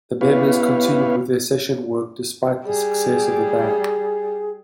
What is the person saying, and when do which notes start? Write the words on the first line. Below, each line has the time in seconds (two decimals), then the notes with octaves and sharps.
The members continued with their session work despite the success of the band.
0.21 B3 E4 G4 B4 C#5 F5
2.65 G3 G#4